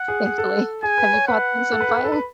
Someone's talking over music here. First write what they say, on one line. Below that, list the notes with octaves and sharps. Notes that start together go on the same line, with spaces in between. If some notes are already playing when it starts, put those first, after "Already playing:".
thankfully. Have you caught things on fire?
Already playing: F#5
G#4
G#4
A4
G#4 G#5
B4
C#5
B4 F#5
A4
B4
A4
B4
A4
B4